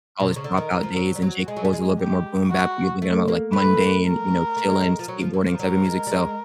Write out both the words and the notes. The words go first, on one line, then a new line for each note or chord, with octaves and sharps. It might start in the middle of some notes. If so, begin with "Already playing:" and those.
college dropout days. And J. Cole is a little bit more boom bap, but you're thinking about like mundane, you know, chilling, skateboarding type of music, so
B2
C3
C#3
D3 A#4
D#3
E3
F3
F#3
G3
F#3
G#3 G#4
F#3
G3
G#3
G4
F#4
A3
A#3
A3 B4
A#4
A3
G#3
G#3
F3
F#3
F3
E3
F3
F#3 A#4
G#3
G3
G#3